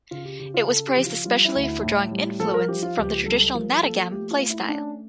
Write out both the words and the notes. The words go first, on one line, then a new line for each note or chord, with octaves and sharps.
It was praised especially for drawing influence from the traditional "nadagam" play style.
C#3 F4
G4
C#3 G4
F4
C#3 A4
G4
F3
F4
G3 F4
E4
D2
E4
A2
G3
F3 A4
A#4
F3 G4
F4
C#2 G4
G3 A4
F3 A#4
A#3 A4
A3 G4
F4
A3
E4
C#4 D4